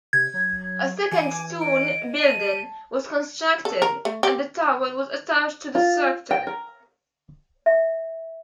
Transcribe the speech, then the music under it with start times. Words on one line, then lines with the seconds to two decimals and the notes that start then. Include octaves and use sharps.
A second stone building was constructed and the tower was attached to the structure.
0.13 C3 G#6
0.34 F#3
1.12 E3 G#5 D6
1.61 D#5 D7
2.20 A5 D#7
3.65 A4
3.82 A#4
4.05 A3
4.23 G4
5.75 F4
6.31 G5
6.47 A#4
7.66 E5